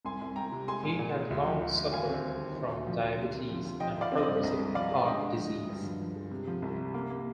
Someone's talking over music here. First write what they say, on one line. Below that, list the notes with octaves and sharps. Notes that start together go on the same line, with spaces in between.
He had long suffered from diabetes and progressive heart disease.
C2 G#5 C6
C2
C2 G5 A#5
C3
G#3 G#5 C6
A#2
A#2
G#3
D2
F3
D2
D2
D#2 F5 G#5
C4
G3
D#3
D2
D2
F3
D2
C3
C3
F3
F3
F3 D#5 G5
F3 D5 F5
C4
D#5
D5
G2
C2 D#5
C2
F3 D5 F5
G#3
D3 D#5 G5
G#3
F3
D2
G2
F3
F3
G#3
C3
F3
C2
C3
A#3
A#3